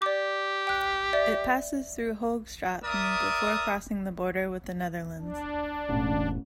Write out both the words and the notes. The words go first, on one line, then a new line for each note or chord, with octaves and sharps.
It passes through Hoogstraten before crossing the border with the Netherlands.
G4 D5 D6
G5 F#6
D5 E5
A#4 D5 E5 D#6
D4
E1 A1